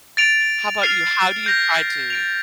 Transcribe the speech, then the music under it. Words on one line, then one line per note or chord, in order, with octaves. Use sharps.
How 'bout you? How do you try to,
A6 D7 F7
F6 C7 F7
G6 A#6 F7
A6 D7 F7